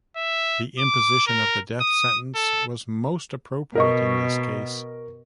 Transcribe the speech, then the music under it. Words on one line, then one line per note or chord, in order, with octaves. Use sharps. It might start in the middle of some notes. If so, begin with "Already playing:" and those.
The imposition of the death sentence was most appropriate in this case.
E5
D6
A#4
D#6
A4
B2 A#4 D#5 C#6